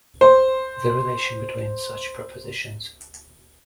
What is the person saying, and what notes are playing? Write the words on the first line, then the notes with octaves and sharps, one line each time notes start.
The relation between such propositions.
C5